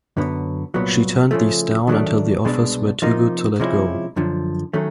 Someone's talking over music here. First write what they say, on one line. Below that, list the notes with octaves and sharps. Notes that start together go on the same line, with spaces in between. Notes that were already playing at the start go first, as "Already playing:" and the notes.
She turned these down until the offers were too good to let go.
F#2 D3 F#3 B3
C2 A#2 F#3 B3
C#3 F3 A3
D#3 F#3 A3 D4
C2 B2 G#3 B3 D4
C3 F3 A#3 D#4
C3 F3 G#3 C#4 E4
F#2 D3 F3
D#3 F#3 A3 C#4